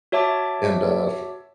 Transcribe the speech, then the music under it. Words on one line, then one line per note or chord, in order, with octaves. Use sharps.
and, uh, f
F#4 C#5 E5 A5 D6